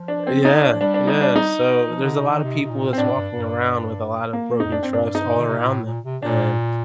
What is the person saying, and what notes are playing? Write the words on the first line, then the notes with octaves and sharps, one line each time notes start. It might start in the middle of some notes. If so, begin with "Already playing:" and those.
Uh, yeah yeah, so there's a lot of people that's walking around with a lot of broken trust all around them, and
Already playing: F3
D4
C4
D#4
D4
F3
G3 D4
D4
D#4
D4
D#4
F3
D3
C3
D#3
C3
C3
A#2
C4
A2 D4
G2
G2
A#3
F2 D#4
D4
C4
G2
D4
D#4
D3
C3
A#2
A2
A#2
C3
A#2 D4